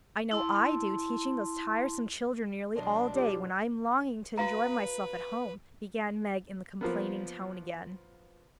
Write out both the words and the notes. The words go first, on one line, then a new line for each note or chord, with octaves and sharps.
"I know I do--teaching those tiresome children nearly all day, when I'm longing to enjoy myself at home," began Meg, in the complaining tone again.
E4 A5 C6
B1 D4 D#5 C6
E4 F4 G4
F#4 B4 F5 A#5
F3 A#3 B3